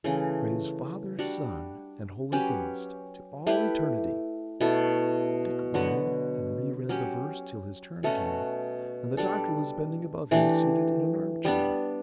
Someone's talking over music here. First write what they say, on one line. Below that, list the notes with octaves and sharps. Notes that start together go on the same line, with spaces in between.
Praise Father, Son, and Holy Ghost To all eternity! Dick read and re-read the verse till his turn came, and the doctor was bending above him seated in an arm-chair.
C#3 E3 A3
G3 D4 F#4
F#3 C#4 G4 B4
A3 E4 G4 B4
B2 A3 E4 A4
D3 F#3 B3 F#4
F#3 C#4 G4
B2 A3 C#4 F#4
G3 D4 A4
E3 A3 D4 G4
G3 B3 D4